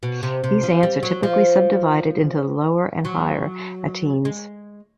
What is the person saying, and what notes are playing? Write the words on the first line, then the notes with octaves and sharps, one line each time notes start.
These ants are typically subdivided into the "lower" and "higher" attines.
B2
C3
C3
F3
G3
F#3
F3
F#3
G#3